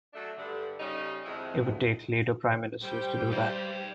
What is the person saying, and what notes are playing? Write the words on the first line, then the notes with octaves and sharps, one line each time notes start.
It would take later prime ministers to do that.
F#3 A3 D4
G2 D3
C#3 G3 C#4 D#4
F2 D#3 F3 G#3 E4
G3 C5 G5
B4 D5